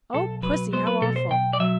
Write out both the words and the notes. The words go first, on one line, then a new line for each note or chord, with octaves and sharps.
'Oh, Pussy, how awful!
B1 A4
F#3 B4
B3 C5
B4
B2 A4
C5
B1 G5
D5
F#3 E5